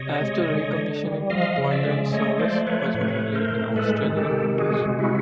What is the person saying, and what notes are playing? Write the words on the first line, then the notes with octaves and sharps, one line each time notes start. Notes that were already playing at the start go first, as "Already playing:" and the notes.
After recommissioning, "Quadrant"s service was mainly in Australian waters.
Already playing: C3 C#5 D#5
G#3
D3
D3
G3
F3 D#5 F5
C#3
D5 E5
G#3
A3 C#5 D#5
F3 C5 D5
A3 B4 C#5
A2 B4 C#5
A3
A#4 C5
A2
G#3 A4 B4
D#3
G4 A4
C3
G#3 F#4 G#4
C3
E4 F#4